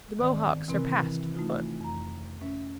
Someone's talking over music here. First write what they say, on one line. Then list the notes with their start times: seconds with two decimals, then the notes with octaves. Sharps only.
The Mohawk surpassed the Fun.
0.19 E2 G#2 D#3 C4 D5
0.68 C3 E3 C4 A#4
1.35 A3 D#4 F4
1.81 F2 A#5
2.41 C#4 E5